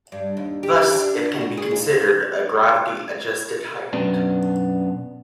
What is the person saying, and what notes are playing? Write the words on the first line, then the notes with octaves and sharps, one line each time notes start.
Thus it can be considered a "gravity-adjusted height".
G2
D#2
G4
D4
F#4
G#4
D#2
F#2 B2 B3 D4